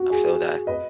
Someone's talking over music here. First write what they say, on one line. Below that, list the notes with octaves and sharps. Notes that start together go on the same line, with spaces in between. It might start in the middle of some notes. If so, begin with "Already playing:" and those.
I feel that.
Already playing: F#4
G#4
B4 D#5